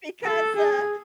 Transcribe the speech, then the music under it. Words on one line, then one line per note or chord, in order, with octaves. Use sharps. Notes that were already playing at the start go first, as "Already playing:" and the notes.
Because, uh,
A4
G#4